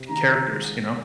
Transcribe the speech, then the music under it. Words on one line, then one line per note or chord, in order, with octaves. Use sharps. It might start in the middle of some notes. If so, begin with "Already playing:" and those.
c characters, you know,
Already playing: C3
D#3 A#5
G#3